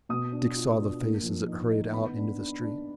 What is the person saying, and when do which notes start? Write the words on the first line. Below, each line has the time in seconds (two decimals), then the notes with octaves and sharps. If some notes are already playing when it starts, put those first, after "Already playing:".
Dick saw the face as it hurried out into the street.
0.09 B2 D#6
0.32 D4
0.56 F4
0.79 D4
1.01 A#3
1.23 F3
1.46 D#4
1.70 D#4
1.92 B3 B5
2.15 D4
2.39 D4
2.62 D4